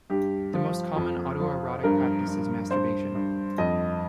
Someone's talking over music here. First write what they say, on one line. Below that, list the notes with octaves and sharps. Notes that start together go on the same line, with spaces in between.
The most common autoerotic practice is masturbation.
G2 G4
F3
F2
F3
G2 A#4
G2
G2 C5
G2
F2 D#5